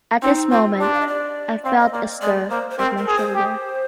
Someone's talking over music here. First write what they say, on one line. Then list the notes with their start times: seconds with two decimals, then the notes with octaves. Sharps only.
At this moment I felt a stir at my shoulder.
0.22 C4 D#4
0.51 C4 F4
0.79 D4 G4
0.94 F5
1.00 D#5
1.07 D5
1.64 C4 F5
1.79 D#5
1.92 A#3 D5
2.21 G#3 D5
2.50 A#3 C5
2.70 C5
2.78 C4 A#4
2.97 A#4
3.07 G#4
3.16 C5
3.35 G4